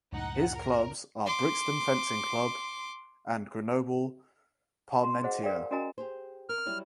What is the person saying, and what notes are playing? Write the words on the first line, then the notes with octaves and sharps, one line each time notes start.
His clubs are Brixton Fencing Club and Grenoble Parmentier.
C#2 F#2 A2 D#4 F#5
A#4
C6 D6
F#4 A#5 C6
G#4 C5 D#5 F#5
A#4 D5 F5 G5
C#4 F#4 A#4 D#5 G#5 A#5
G4 G#4 C5
A#4 F6
F#3 G3 E4